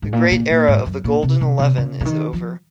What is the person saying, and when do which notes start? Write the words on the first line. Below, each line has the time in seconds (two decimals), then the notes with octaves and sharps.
The great era of the Golden Eleven is over.
0.02 G#2
0.13 A#2
0.31 A#2
0.50 A#2
0.68 G#2
0.86 F#2
1.04 A#2
1.23 C3
1.41 C3
1.59 C3
1.77 C#3
2.01 C#3
2.05 D#3
2.33 F3